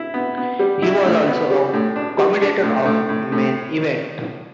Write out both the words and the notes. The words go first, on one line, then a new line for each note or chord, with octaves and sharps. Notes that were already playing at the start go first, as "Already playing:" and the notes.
He was also a commentator of "Main Event".
Already playing: E4
B3
B3
G3
E4
A2
B3
G3
A2
D4
G3
D4
A2
A2
A2
A2